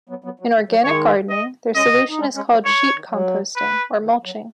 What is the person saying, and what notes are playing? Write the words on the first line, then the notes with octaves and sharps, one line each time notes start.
In organic gardening, their solution is called sheet composting or mulching.
F#3 B3
F#3 B3
F#3
D#3
F#3
D#3 G#3 C#5
D#5
G#3 C#4 D#5
D#4
G#3 C#4
G#3 C#4
F#3 B3
D#3 G#3 C#5
F#3
D#3
F#3
B4
D#3
F#3